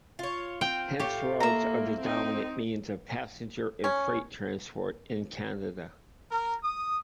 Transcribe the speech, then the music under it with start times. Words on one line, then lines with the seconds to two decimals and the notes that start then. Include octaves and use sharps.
Hence roads are the dominant means of passenger and freight transport in Canada.
0.19 F4 C#5
0.61 C4 F4 G5
1.00 A2 F4 G4 C#5
1.40 A#3 E5 A#5
2.01 C4 D#4
3.84 C#4
6.30 A#4
6.63 D#6